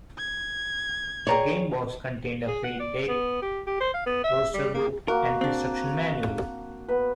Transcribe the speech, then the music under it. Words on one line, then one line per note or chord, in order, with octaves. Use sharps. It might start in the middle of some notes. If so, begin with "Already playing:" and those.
The game box contained a Fate Deck, roster book, and instruction manual.
G#6
G#4 C#5 D5 G5 A#5
G#4
F#5
D5
B3
G4
G4
C5
F5
B3
E5
G3
A#3
A#3 F#4 A#4
C4 D4
B3 B4